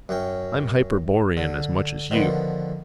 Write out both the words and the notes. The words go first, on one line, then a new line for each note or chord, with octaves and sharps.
I'm hyperborean as much as you.
F#2 C#4 G5
D3
D3 D#3 F3 B3